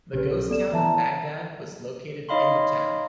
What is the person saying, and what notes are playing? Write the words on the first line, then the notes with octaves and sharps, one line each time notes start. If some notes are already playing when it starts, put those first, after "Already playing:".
The ghost town of Bagdad was located in the town.
B1 C#3 G4 B4
B3 A4 D5 E7
E3 E5 A5 A#5
D#4 C#5 D#5 F5 B5 C6